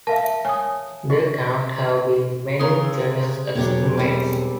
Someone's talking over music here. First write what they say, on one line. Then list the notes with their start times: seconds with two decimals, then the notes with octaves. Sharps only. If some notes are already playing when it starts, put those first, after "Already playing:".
There cannot have been many genuine ex-inmates.
0.07 A#4 E5 F5 A5
0.45 C#5 G#5 D#6
1.10 F#4 G4 D#5
2.59 C#3 A#4 C#5 C6 D#6
3.55 E1 F#3 D4 G4 C#5
3.97 G3 C4